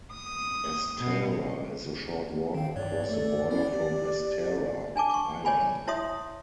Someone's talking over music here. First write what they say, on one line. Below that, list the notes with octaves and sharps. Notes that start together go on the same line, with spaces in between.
Astara is a short walk across the border from Astara, Iran.
D#6
B2
D#3 F5 G5
G2 C#5 D5
A3 A4
B3 C#4 E4
G4
D4 G#5 A5 D6
C#6 D6
C#5 D5 G#5 B5
E4 C#5 E5 C6 D#6